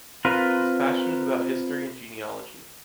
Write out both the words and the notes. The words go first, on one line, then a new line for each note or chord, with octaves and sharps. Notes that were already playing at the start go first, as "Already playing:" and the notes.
He is passionate about history and genealogy.
C4 F4 A#4 B4